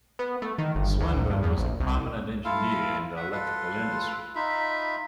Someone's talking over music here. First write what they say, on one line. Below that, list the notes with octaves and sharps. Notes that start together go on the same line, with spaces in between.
Swinburne was a prominent engineer in the electrical industry.
B3
A3
D#3
G1
D2
A#1
G2
E2
A#1
C2
E4 F4 A4 F5
E5 F#5
F4 A4 B4 C6
D#4 F4 E5 B5